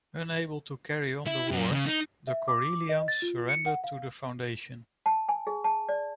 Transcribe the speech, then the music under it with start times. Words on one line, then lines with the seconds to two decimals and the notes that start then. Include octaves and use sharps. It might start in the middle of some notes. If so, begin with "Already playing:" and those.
Unable to carry on the war, the Korellians surrender to the Foundation.
1.27 E4
1.51 F#2
1.71 C#3
1.86 D#4
2.27 E5
2.48 D6
2.89 D#5
3.08 A6
3.22 F4
3.49 C#7
3.66 F#5
3.84 F5
5.06 A5
5.29 G#5
5.47 G#4
5.64 A5
5.89 D5